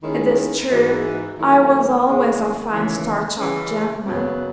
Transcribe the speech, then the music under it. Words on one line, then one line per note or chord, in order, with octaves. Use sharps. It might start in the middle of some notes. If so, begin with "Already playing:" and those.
It is true, I was always a fine starched-up gentleman!
D#2 D#3 G#3 C#4 E4
G#2 E3 G#3 D#4 F#4
D#2 D#3 F#3 A3 E4
E2 C#3 G#3
D#2 C#3 E3
C#3 E3 G#3 C#4
F#2 C#3 F#3 B3